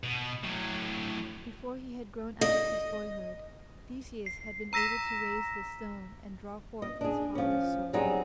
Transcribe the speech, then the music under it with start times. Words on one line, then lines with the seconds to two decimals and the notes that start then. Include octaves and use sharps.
Before he had grown out of his boyhood Theseus had been able to raise the stone and draw forth his father's sword.
0.03 B2
0.43 A2 F#3
2.41 D#5
4.26 C7
4.73 A#5 E6 A#6 B6 E7
6.82 D#5
7.01 D4 G#4
7.35 F3 C#4
7.93 F#3 G3 C4 D#4 G#4